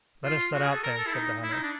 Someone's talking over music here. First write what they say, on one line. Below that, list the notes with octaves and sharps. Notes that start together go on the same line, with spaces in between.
"Let us set out, then!" said the hunter.
F4
F#4
G#4
A4
A#4
A4
E4
D#4
E4
D#4
D4